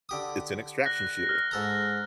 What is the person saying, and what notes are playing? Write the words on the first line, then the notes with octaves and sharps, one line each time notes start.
it's an extraction shooter.
D3 G4 D#6
F#6 A#6
F6
G#2 A4 A#5